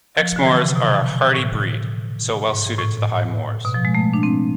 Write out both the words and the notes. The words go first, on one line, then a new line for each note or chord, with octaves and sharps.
Exmoors are a hardy breed, so well suited to the high moors.
F3
D3
E3
C3
B2
A2
G#2
A2
B2
F3
G#3
A3
D4
C4